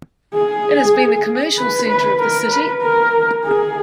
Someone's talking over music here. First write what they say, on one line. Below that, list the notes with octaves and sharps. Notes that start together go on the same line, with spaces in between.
It has been the commercial center of the city.
G#4
B4
B4
A#4
B4
A#4
G#4